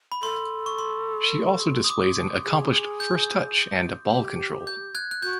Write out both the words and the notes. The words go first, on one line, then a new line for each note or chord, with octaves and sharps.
She also displays an accomplished first touch and ball control.
B5
A4 C6
C#6
C6
D#6
D6
G#4
G6
G4
G6
F#6 G#6
F#6
F#4 G6